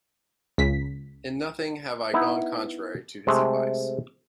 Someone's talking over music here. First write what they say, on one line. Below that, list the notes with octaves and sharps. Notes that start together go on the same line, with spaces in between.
In nothing have I gone contrary to his advice.
C#2 B6
B3 D#4 E4
C3 G#3 A3